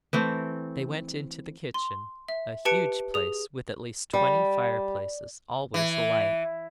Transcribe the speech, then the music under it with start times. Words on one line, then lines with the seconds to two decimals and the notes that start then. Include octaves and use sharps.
They went into the kitchen--a huge place with at least twenty fireplaces, always alight.
0.13 E3 A3 C4
1.74 C6
2.28 E5
2.65 G4 B4 A5 C#7 D7
3.14 G#4 D#6
4.13 G3
5.74 E3